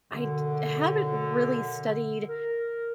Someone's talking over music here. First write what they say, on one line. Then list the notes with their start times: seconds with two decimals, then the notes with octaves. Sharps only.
I d haven't really studied
0.11 F#2 B2 D3
2.28 A#4